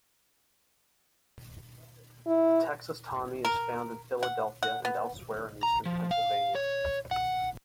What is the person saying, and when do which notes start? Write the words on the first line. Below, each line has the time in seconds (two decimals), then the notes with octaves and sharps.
The Texas Tommy is found in Philadelphia and elsewhere in Eastern Pennsylvania.
2.26 E4
3.45 A#4
4.23 F#5
4.63 F#5
4.85 B3
5.63 A#5
5.86 F3
6.11 F5
6.55 C#5
7.11 F#5